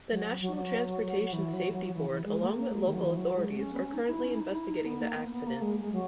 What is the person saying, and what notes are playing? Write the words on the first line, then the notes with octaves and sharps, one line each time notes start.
The National Transportation Safety Board along with local authorities are currently investigating the accident.
F#3
F#3
F#3
E3
F#3
F#3
F#3
E3
E3
G#3
A#3
A#3
G#3
D#3
F#3
E3
F#3
G#3
C#4
B3
C#4
D#4
E4
C#4
E4
D#4
E4
D#4
B3
A#3
B3
B3
A#3
G#3
G#3
F#3